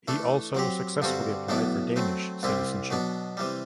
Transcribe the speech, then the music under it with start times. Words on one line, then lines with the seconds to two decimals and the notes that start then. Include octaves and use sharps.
He also successfully applied for Danish citizenship.
0.08 E3 A3 D4 A4
0.55 F#3 C4 G4
1.02 G2 D3 G3 C4 F#4
1.49 B1 A2 E3 B3 D4
1.96 F#3 A3 C4
2.43 C2 C3 G3 C4 E4
2.90 B2 F#3 B3 D4
3.37 C3 E3 G3